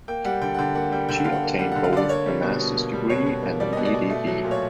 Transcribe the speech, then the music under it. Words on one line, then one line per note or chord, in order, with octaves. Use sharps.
She obtained both a master's degree and an Ed.D.
A#3 G5
G3 F#5
D3 G5
F#5
D3 G5
A#3 F#5
G3 G5
D3 G5
F#5
D3 F5
F#5
A#3
G3 F#5
D3 F#5
F5
D3 D5
A#3 C#5
G3
B2
B2
A#3
G3
B2 C#5
B2
A#3
G3 D5
B2 D#5
D5
B2
A3
F#3
A#2
C#5